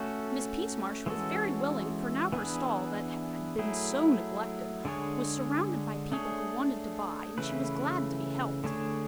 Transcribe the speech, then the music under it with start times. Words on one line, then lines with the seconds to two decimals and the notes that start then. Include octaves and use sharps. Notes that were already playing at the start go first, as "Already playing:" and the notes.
Miss Peasmarsh was very willing, for now her stall, that had been SO neglected, was surrounded by people who wanted to buy, and she was glad to be helped.
Already playing: A3 C#4 F#4 A4
1.06 E3 G#3 C#4 F#4 A4
2.32 E3 B3 D4 G#4 B4
3.59 F#3 A3 E4 G#4
4.85 D3 G#3 D4 G#4 C#5
6.12 A3 D4 G#4 C#5
7.38 C#3 E3 A3 E4 B4
8.64 D3 A3 D4 G#4 C#5